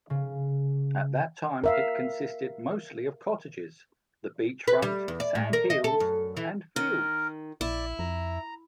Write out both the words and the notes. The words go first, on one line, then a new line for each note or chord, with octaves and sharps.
At that time it consisted mostly of cottages, the beach front, sand-hills and fields.
C#3
A#4 E5 F5
B4
G3
E2
D5
A2
A#4
D#5
A4
F#2
E3
D#3 A#4
A#1 E4 D5
F2 A#5